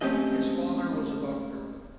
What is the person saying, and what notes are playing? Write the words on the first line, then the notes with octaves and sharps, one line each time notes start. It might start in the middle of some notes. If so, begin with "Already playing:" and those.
His father was a doctor.
G#3 A3 C4 C#4 G4 D#5